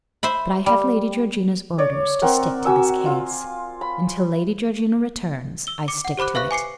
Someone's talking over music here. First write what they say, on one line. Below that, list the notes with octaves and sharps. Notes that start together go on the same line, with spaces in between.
'But I have Lady Georgina's orders to stick to this case; and till Lady Georgina returns I stick to it.'
C5 E5 B5
G3
C#5 D5
C4 A#4 F#5
F#4 G#5 E6
F4
B5
E6 G7
D6 C#7
F#5
G4 C5 B5 D6 F#6
B4 E5 F5 C#6 F#6
G#5 D6 C7 C#7